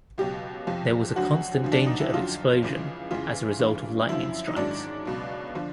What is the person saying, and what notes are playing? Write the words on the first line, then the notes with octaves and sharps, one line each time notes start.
There was a constant danger of explosion as a result of lightning strikes.
C#2 B2 F#3 G4
F2 C3 F3
D2 D3 F#3 F#4
D2 D3 F3
D4
D#4
E4
F2 D3 F#3 F4
C#2 C#3 E3
E2 C#3 E3 F4
G2 E3
F#2 D3 F3 E4
D#4
G#2 D#3 F#3 D4
C#2 B2 F#3
D3 F3